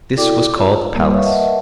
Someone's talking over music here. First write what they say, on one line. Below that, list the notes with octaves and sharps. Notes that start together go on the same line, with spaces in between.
This was called Pallas.
E4 F#4 A4 D5 G5 D6
F4 C#5
G3 A#3 A#4
B4 C#5 E5 F5 C#6
A#4 B4 D#5 E5 F#5 A5